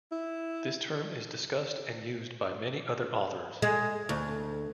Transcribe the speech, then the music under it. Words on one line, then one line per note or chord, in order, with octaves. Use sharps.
This term is discussed and used by many other authors.
E4
G#3
D2